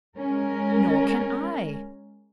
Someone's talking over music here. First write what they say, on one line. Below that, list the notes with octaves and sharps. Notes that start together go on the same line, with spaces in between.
"Nor can I."
G#3 C#4 A#4